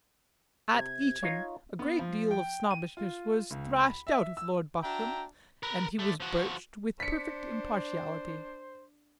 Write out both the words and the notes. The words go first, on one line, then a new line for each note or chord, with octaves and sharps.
At Eton, a great deal of Snobbishness was thrashed out of Lord Buckram, and he was birched with perfect impartiality.
C3 G#6
D#4 F4 C#5
B3
F3
G5
D#7
F4
C#2
B5
E5
E6
D4 F#4 E5 G5 A#5
A#4 B4
D3 A3
F3 F#4
D4 C5 B6 C#7